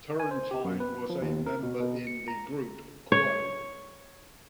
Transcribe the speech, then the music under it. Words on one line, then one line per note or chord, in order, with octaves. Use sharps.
Turrentine was a member in the group Quo.
G#5
C5
G4
F#2
B4
F3
D#2
A#4
B2
B2
C#7
A#5
C#5